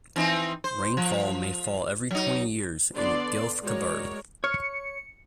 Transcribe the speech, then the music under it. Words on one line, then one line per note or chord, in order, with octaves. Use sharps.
Rainfall may fall every twenty years in Gilf Kebir.
E3 C4 D#4
C5
F3
F#3 D#4
D3 B3 D4 A4 D5 C6
G#3 F#4 A#4 C#5 D5
C#5 F6 C#7